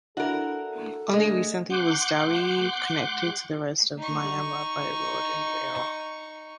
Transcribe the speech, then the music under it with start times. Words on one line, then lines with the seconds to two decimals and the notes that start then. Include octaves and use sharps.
Only recently was Dawei connected to the rest of Myanmar by road and rail.
0.17 D4 E4 F#4 A4 A#4
1.13 D3 G#3 A3
1.70 F#5 C6 D6 F#6 G6
3.98 D#4 C#6